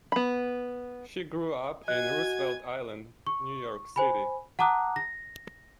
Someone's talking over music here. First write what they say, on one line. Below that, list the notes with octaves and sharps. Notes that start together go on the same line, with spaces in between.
She grew up in Roosevelt Island, New York City.
B3 B5
F#4 D#5 G#5 F#6 G#6
C#6
C5 G#5 B5
F#5 A5 A#5 D6 D#6 F#6
A#6